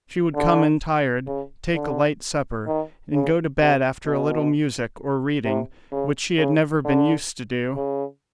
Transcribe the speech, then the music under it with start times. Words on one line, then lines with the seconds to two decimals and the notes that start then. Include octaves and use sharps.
She would come in tired, take a light supper, and go to bed after a little music or reading, which she had never been used to do.
0.35 D3
1.27 C#3
1.74 D3
2.66 D#3
3.13 C#3
3.60 C3
4.06 B2
5.45 C3
5.92 C#3
6.38 C#3
6.85 D3
7.76 C#3